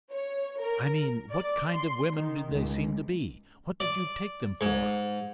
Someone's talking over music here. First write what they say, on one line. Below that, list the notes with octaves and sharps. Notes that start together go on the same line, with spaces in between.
"I mean what kind of women did they seem to be; what did you take them for?"
C#5
A#4
D5
C6
D#3
C#2
D5
G#2